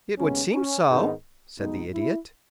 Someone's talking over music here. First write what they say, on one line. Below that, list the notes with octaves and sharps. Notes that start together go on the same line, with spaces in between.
"It would seem so," said the Idiot.
D#2 C#3 G#3 B3 C#4
C#4
G#2 D#3 G#3 B3 D#4
B1 B2 G#3 B3 D#4
E4